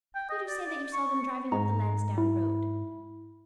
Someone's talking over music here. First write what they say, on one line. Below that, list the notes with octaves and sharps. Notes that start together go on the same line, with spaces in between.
How could you say that you saw them driving up the Lansdown Road?
G5
D#5
D5
D5
C#6
G#2 A#5
E4